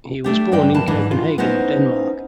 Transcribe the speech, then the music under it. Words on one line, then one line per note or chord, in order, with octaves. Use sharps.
He was born in Copenhagen, Denmark.
A3 D4 G4
G2 C#4 D5 G5
E3 A#3 A5
G#2 E3 D4
F4
B3 C#4 D#4 E4 C5